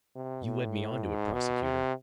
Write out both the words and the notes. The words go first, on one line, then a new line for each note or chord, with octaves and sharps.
You led me on to it, prosecutor?
C3
A2
G#2
B2
C3